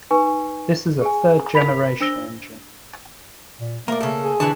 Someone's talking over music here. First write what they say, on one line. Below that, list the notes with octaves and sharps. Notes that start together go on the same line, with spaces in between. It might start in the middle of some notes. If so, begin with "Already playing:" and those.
This is a third-generation engine.
D#4 B4 G#5 C#6
G#4 G#5
A#4 B5 B6 F7
D4 C5 E6 A#6 G7
A#2
A3 A#3 A#4 D5
C#3 A4
G#4
D3 E3 F#4 A5